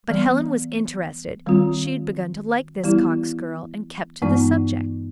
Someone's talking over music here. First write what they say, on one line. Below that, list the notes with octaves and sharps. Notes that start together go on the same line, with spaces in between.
But Helen was interested; she had begun to like this Cox girl, and kept to the subject.
E3 G3 B3
D#3 G3 C4 F4
E3 G3 B3 E4 G4
G2 E3 G#3 B3 D#4